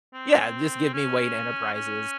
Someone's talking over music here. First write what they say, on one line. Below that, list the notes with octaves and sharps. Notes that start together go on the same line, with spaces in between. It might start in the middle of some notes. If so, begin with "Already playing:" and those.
Yeah. Just give me Wayne Enterprises,
C4
C#4
C#4